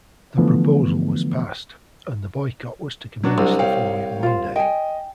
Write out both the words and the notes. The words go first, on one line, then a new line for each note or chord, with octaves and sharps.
The proposal was passed, and the boycott was to commence the following Monday.
D3 E3 F3 A3 B3
F#3 D4 F#4
C2 C5
C#5 F5 G5
F4 C5
D#5 G5 G#5